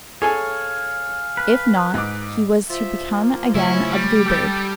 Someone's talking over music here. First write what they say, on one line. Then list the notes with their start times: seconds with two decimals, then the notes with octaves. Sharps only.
If not, he was to become again a Blue Bird.
0.22 G#4 A4 C#5 F5 G#5
1.37 B4
1.94 G#2 D6
2.70 F3 E5
3.11 A#3
3.55 C#3 F#3 A3 C#4 E4
3.90 G3
4.26 G4 A4